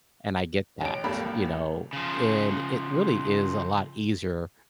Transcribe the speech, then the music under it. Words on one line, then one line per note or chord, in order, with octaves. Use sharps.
and I get that, you know, and it really is a lot easier
A1 D7
D#1 G#1 A#3 A4 B5
C#3 F3